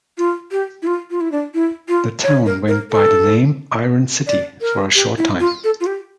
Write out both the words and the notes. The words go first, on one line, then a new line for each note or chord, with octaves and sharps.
The town went by the name "Iron City" for a short time.
F4
G4
E4
F4
F4
E4
D4
E4
F4
C#5
A#4
A#4
A4
D5
A#4
G4
E4
F4
A4
F4
G4